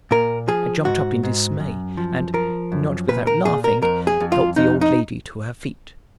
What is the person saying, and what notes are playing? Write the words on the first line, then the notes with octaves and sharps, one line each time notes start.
I jumped up in dismay and, not without laughing, helped the old lady to her feet.
A#2 A#4
F3 G#4
G#2 F#4
G#2
F#2
F3
F3 A#4
F#2
A#2 B4
A#4
A#2 G#4
A#4
F2 A#4
G#4
F2
F4
F2 D#4
D#4